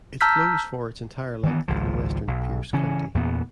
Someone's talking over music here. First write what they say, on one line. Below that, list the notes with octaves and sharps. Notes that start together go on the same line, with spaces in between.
It flows for its entire length in western Pierce County.
A5 A#5 E6 F6 G6 B6
D#3 E3 B3
G#1 C#2 F3
B1
C#3 E3 C#4
E2 A#2 B3